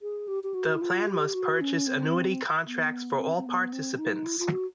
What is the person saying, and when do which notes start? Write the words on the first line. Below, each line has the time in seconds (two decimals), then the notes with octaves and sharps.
The plan must purchase annuity contracts for all participants.
0.02 G#4
0.28 G4
0.43 G4
0.54 F#4
0.76 E4
0.81 F4
1.07 G4
1.34 F#4
1.61 C#4
1.87 C4
2.66 B3
3.19 C4
3.37 C4
3.46 B3
3.73 C4
3.99 D#4
4.25 E4
4.39 F4
4.52 F#4